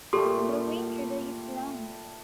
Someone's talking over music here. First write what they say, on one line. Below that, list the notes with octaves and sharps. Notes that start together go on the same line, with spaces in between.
The Wind River is long.
A#2 G3 A3 G4 A4 C6